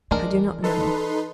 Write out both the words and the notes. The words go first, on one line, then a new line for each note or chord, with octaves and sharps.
I do not know.
E3 G#3 D4 A#4
D#4 A4 B4 C6